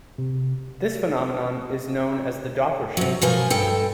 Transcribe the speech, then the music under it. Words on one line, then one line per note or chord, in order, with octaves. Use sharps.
This phenomenon is known as the Doppler shift.
C3
C3 F#3
B2 F3 A#4 G#5
G2 A4 G5